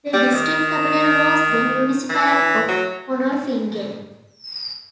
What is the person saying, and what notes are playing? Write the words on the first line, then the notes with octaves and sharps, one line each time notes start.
The district capital was the municipality of Konolfingen.
G3
D#3
E3
F#3